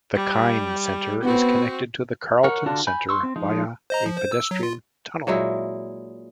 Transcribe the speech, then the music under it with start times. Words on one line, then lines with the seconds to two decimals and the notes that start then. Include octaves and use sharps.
The Kine Centre is connected to the Carlton Centre via a pedestrian tunnel.
0.15 G3
1.24 B3 C4 F#4
2.44 A#4 C#5 F#5
2.66 D3 D4 F4 F#4 A5
2.87 G#5 B5 G6
3.09 C6 C#6 E6
3.23 C4
3.36 F3 G#3 D#4
3.90 C5 D#5 A#5
4.06 F3
4.18 C5
4.32 E6
4.51 F#3
4.63 F4
5.27 A#2 F#3 G#3 E4